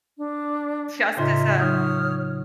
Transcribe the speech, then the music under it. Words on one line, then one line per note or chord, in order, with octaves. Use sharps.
just as a
D4
A2 C#3 D#4 F4 E5 C6
F#3 D#4 C#5 D#6 F6 G6